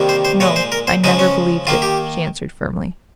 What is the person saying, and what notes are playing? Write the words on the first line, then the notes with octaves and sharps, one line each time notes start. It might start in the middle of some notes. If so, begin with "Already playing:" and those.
"No, I never believed it," she answered firmly.
Already playing: C3 D#3 G3 A#3
C5
C5
A#2 G#3 C#5
C5
A#4
C5
C#3 F3 G#3 D#4
C#4
D#3 A#3 F4
G4